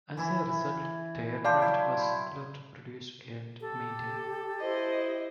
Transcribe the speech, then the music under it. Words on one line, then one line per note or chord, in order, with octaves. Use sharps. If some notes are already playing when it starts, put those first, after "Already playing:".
As a result, the aircraft was simpler to produce and maintain.
E3 E4
G4 D5 F5 G5 A5 C6
F#3 E4
G4 A4
E4 C5 D#5